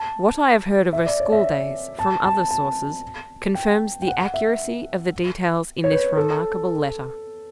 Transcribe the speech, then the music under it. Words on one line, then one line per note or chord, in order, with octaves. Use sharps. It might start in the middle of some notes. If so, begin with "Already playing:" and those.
What I have heard of her school days from other sources, confirms the accuracy of the details in this remarkable letter.
Already playing: A5
E5
D5
C#5
E5
A5
A5
A5
G5
G5
F#5
E5
C#5
B4
A4